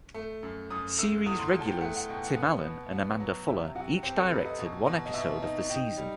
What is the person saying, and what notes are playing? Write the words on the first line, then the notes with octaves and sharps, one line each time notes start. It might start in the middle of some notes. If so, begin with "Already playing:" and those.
Series regulars Tim Allen and Amanda Fuller each directed one episode of the season.
A3
F#2
F#2 D#6
A3 E6
E2 D#6
C6
E2
A5
G5
A3 F#5
F#5
B2 G5
F#5
B3
B2
B3
F#3
C3 E5
C3 F#4
C4 G4
A4
C3 B4
D#5
B2
B2
D#5
B2 E5
D#4
D#4 G5
G3